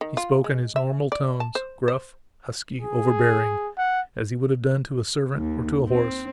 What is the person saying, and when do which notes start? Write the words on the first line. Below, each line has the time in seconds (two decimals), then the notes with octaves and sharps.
He spoke in his normal tones; gruff, husky, overbearing, as he would have done to a servant or to a horse.
0.01 D#3
0.17 F4
0.44 G#3
0.76 E5
1.12 D5
1.40 A5
1.55 C5
1.88 C5
2.82 G#4
3.78 F#5
5.37 D#2
5.88 C4